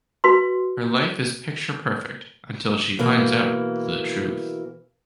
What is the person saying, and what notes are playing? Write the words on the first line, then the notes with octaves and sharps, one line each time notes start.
Her life is picture perfect until she finds out the truth.
F#4 B4 C6
B2 E3 A#3